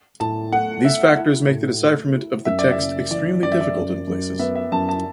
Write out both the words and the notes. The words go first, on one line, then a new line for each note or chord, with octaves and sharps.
These factors make the decipherment of the text extremely difficult in places.
A2 A5
A3 F#5
A3 E5
E4
A2
A3
E4
F#2 E5
D5
E5
F#1
E3 D5
F#2 D5
E5
D5
F#2
F#2
B3 E5
E5
F#2 A5
A5